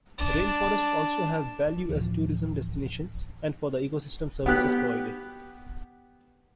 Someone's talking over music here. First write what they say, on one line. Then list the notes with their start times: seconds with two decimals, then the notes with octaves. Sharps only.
Rainforests also have value as tourism destinations and for the ecosystem services provided.
0.18 D4
1.89 D1 B1 E3 F3
4.46 B3 G4 F#6